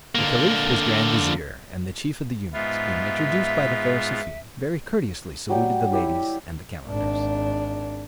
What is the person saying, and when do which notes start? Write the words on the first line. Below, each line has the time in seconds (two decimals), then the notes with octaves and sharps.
The caliph, his grand vizier, and the chief of the eunuchs, being introduced by the fair Safie, very courteously saluted the ladies and the calenders.
0.15 D3 A#3
2.53 G#2 B3 F4 E5
5.49 F#3 G3 G5
5.92 E4 G4
6.88 G#1 D4